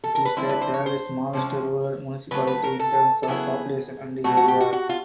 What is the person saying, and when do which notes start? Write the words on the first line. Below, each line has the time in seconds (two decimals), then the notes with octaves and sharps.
It is the third smallest rural municipality in terms of population and area.
0.04 A4
0.15 A#4
0.25 B4
0.37 D3 G3 C4 E4 C5
0.49 B4
0.61 C5
0.73 C#5
0.86 C5
1.33 C3 F3 G#3 C#4
2.31 C#3 F#3 A3 B4
2.47 B4
2.63 A#4
2.79 A4
3.23 A4
3.28 C#3 F#3 B3 E4 G#4
4.24 B2 F#3 A3 F#4
4.37 F#4
4.48 G4
4.60 F#4
4.73 F#4
4.89 F4